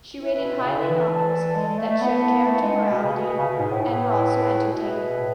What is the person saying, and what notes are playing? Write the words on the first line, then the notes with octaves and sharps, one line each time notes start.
She rated highly novels that showed character morality and were also entertaining.
E4 B4 E5
B2
B2
C#3
D3
E3
A4 D5 A5
G#3
G#3
A3
A3
B3 E4 B4 F#5 A5
A3
G#3
G#3
B2 G#4 B4 E5 G#5
C#3
B2
C#3
B2
G#2
A2
A2 E4 G#4 B4
B2 G#4 B4 E5
A2